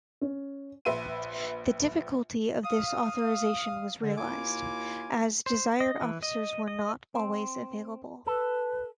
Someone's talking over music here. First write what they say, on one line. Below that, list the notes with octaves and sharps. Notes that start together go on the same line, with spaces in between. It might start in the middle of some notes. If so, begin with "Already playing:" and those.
The difficulty of this authorisation was realised, as desired officers were not always available.
C#4
A#1 B4 E5 C6 D#7
F5 D#6
D3
D#2 A#3 E4 F4 G#5 D6
C5
D#5
E3
D#5
D#5
C4
A4 B4